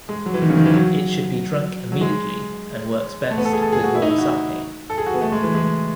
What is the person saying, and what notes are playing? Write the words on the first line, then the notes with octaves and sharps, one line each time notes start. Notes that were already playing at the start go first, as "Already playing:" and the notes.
It should be drunk immediately, and works best with warm sake.
G#3
F#3
E3
D#3
C#3
D#3
E3
F#3
F#3
G#3
A3
B3
A4
G#4
A4
G#4
F#4
E4
D#4
E4
F#4
A4
G#4
F#4
B3
A3
G#3
E3
G#3